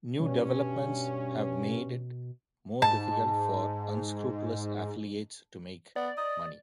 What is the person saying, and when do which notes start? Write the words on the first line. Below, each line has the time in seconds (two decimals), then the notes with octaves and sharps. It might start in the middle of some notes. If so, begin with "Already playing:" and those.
New developments have made it more difficult for unscrupulous affiliates to make money.
0.20 G2 B2 C#4
2.82 G#2 A5
5.96 B3 D5
6.18 D#5